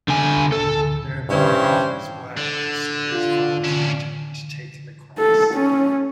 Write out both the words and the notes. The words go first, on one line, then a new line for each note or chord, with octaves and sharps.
There are many reasons why crusaders volunteered to "take the cross".
D3 G#5
A4
G2 C#4 E4 C5
D3
F4
C#4 D4
A4
C#4